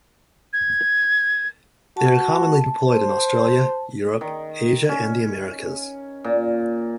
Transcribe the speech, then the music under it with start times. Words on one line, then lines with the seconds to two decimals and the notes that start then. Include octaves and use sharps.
They are commonly deployed in Australia, Europe, Asia and the Americas.
0.53 G#6
1.97 F#4 A5
2.86 C5
4.21 D#3
4.89 C#4
6.24 A#2